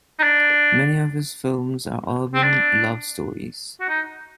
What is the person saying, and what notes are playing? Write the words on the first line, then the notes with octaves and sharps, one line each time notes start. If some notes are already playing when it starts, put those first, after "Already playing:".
Many of his films are urban love stories.
D#4
D4
C4
D4
F#4
D#4